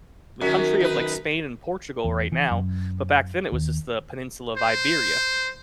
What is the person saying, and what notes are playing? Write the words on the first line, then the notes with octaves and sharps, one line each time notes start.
the country of, like, Spain and Portugal right now, but back then it was just the Peninsula of Iberia,
F#2 D#3 C#4 F#4 A#4
D#3 B4
E2
E3
F#2
D#2
C5